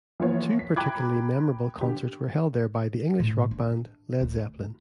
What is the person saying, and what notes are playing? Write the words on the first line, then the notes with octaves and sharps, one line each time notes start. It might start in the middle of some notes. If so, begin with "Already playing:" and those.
Two particularly memorable concerts were held there by the English rock band Led Zeppelin.
E3 F3 A#3 B3 F4 C#5
B6
G5 A#5 B5 D6 F#6 G#6
D3 G4
A2
D4
D2